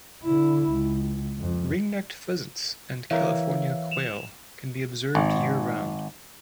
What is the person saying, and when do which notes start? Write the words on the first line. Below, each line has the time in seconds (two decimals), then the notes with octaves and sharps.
Ring-necked pheasants and California quail can be observed year-round.
0.24 D3 E4
0.70 C#2
1.39 F2
3.11 E3 A#4 C#5 E5 F5
3.91 E7 F7
5.15 G#1